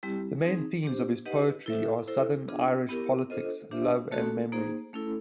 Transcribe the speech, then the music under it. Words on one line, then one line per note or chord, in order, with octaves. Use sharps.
The main themes of his poetry are Southern Irish politics, love and memory.
G3 C4 E4 G4
C4 D#4 G#4
D4 G4 C5
D#4 G4 B4 D#5 F#5
E4 A4 C5 E5
E4 A4 C5
B3 D4 F4 G#4
B3 E4 G4 A#4
D4 F4 A4 C5 D#5
D4 G4 C5 E5
A3 C#4 F#4 A4
A#3 D#4 G#4 C5
A3 C#4 E4 A4